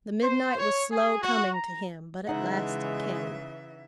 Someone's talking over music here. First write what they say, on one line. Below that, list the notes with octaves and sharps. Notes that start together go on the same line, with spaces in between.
The midnight was slow coming to him; but at last it came.
C5
C#5
G#4
F#4
A#5
C#3 E3 G#3 D#4 E5 F#5